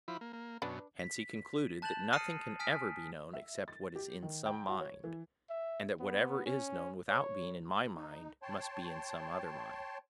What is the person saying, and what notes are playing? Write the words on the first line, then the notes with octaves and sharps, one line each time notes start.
Hence he concluded that nothing can ever be known except what is in some mind, and that whatever is known without being in my mind must be in some other mind.
F3 E4 B5
A#3
A#3
F#2 B2 D4 B4
B6
A5 F#6 G6 A6 E7 F#7
D#6 F6 A#6 C7 C#7 D#7
G#5 D#6 F6 B6 D7
E5
A6
G4
D#3
G5
F#4
C#5
E3
E5
B3
C#4
C#5
D#4
C#5 G5 A5 C6